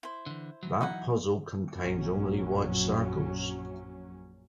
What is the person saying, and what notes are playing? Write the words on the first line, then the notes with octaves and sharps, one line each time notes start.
That puzzle contains only white circles.
E4 C5
D3 E3
E3 F#3
D#4 E4 F#5
A#1 F#2 F#3 C#4